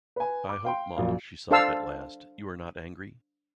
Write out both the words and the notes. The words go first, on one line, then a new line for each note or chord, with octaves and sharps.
"I hope, Ma," she sobbed at last, "you are not angry?"
B4 G#5
D6
F5 G5 C6
A#1 F#2 F5
D4 A4 C5 F5 A5 E6